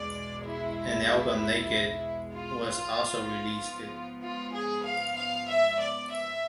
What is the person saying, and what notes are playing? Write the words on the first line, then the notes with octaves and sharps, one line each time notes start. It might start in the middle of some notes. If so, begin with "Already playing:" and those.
An album, "Naked", was also released.
Already playing: E2 B2 G#3 D5
E4
F4
G#2 F3 B3
F4
G#4
F5
F5
E5
D5
E5